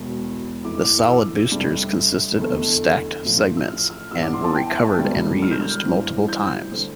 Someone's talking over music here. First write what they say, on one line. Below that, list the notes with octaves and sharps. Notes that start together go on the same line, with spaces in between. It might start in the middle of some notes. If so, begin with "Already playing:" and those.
The solid boosters consisted of stacked segments, and were recovered and reused multiple times.
Already playing: E1 E2 B2
F1 F2 E3 D6
D6
E6
F2 C3 G3 D4
F1 E2 D3 A3
A1 A2 F3
E6
F6
F6
G2 E3 B3 D4 E6
D6
C6
A5
G5
E5
A5
E1 E2 D3 G3
F6
G6
F6
G2 E3 G3 C4
G6
D3 G3 C4